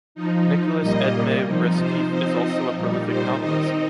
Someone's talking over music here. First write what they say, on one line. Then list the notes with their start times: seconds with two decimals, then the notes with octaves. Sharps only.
Nicolas-Edme Restif is also a prolific novelist.
0.15 F3 D#4
0.81 A#2 G3 A#3 D#5
1.45 C3 F3 D#4
1.79 C5
2.11 F3 C4 D#4 C5
2.43 D#5
2.75 A#2 G3 D#4
3.08 C5
3.40 D#3 C4 D#4 D#5